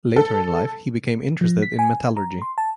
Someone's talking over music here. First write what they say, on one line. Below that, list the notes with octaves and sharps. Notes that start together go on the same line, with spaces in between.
Later in life he became interested in metallurgy.
A4
F3
B6
G#5
A#5
C6
A5